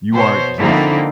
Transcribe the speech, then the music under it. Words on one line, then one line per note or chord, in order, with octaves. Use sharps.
you aren't just,
B2 C5 C#5
D3 F3 A#3 C4 D#4 E4